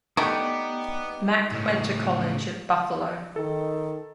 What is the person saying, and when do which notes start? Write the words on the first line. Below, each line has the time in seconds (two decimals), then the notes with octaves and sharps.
Mack went to college at Buffalo.
0.17 A3 B3 D4 D#4 G4 D5 G5
1.53 A2 C#3
3.36 D#3 A4